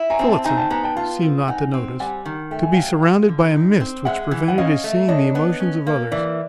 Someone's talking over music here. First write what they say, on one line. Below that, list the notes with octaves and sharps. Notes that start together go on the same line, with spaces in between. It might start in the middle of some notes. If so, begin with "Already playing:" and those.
Phillotson seemed not to notice, to be surrounded by a mist which prevented his seeing the emotions of others.
Already playing: E4
G#5 A#5
C4
G5 A5
D#4 G#5 A#5
G5 A5
B3 G#5 A#5
G5 A5
F4 G5 A5
C4
D#4 F#5 G#5
C4
G3 F#5 G#5
D#3
A3 G5
G#5
F#3 F5 G5
F3
D3
D#4
C4
G#3 E5 F#5
E3
F#5
C#4 D#5 F5
A3
D4 C#5 D#5
B3
C#4
A#3
E3 D5 E5